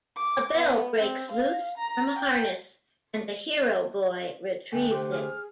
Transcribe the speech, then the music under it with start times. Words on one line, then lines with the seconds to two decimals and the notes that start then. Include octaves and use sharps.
A bell breaks loose from a harness, and the hero boy retrieves it.
0.16 D6
0.54 B3
0.98 C4
1.32 F5
1.78 A#5
2.19 G5
4.73 D3 A3 G5 G#5
4.92 G4 C5
5.12 G#4 F6